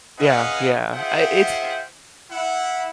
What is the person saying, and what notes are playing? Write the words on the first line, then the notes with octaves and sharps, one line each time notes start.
Yeah yeah, I it's
C#4 G#4 B4 D#5 F5 F#5
F4 G#4 C5 E5 F#5 G5
E4 F#5